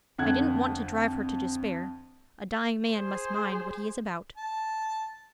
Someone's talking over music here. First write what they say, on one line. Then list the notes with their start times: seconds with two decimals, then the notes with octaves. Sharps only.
I didn't want to drive her to despair: a dying man must mind what he is about.
0.18 F2 D3 F#5 F#6 G#6
2.90 G#4 C5
4.37 A5